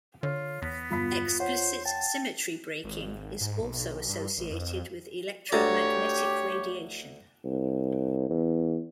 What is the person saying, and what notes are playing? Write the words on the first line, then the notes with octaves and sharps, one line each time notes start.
Explicit symmetry breaking is also associated with electromagnetic radiation.
D3 F4 C#5
E2 B3 A#6 B6
G1 F4 B5 B6
C5 C#5 F#5
G5 A5
G#1
G#2
B1
G2
A1
F2
D2 G4 C#5 A5 A#5
C2
E2